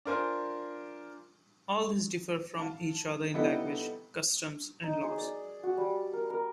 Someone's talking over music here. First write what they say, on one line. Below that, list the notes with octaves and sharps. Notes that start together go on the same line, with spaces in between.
All these differ from each other in language, customs and laws.
D4 F4 A#4 C5 G#5
F5 A5
C3 G3 B3 D#4 E4 A4
D#4
G#4
D5
F#4
G3
A#4
A#4